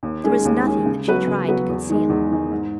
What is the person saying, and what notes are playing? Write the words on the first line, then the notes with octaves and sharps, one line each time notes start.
There was nothing that she tried to conceal.
D#2
D#3 G#3 C#4 G#4
D#2
D#3 G#3 C#4 G#4
C#3
F#3 B3 F#4 B4
C#3
F#3 B3 F#4 B4
E2
D#3 G#3 D#4
E2
D#3 G#3 D#4
G#2